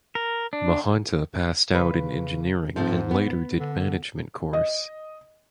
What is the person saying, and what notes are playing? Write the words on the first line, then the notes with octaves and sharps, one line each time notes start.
Mahanta passed out in engineering and later did management course.
A#4
D4
C#3 B4
G#2 F3 A3 C4
B3
D3
D#5